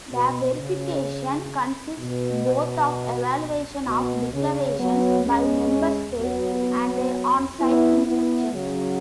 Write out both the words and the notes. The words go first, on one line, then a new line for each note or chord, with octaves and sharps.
The verification consists both of evaluation of declarations by member states and on-site inspections.
B2
C#3
B2
B2
C#3
F#3 B3
G#3 C#4
F#3 B3
B3 E4
B3 E4
C#3 F#3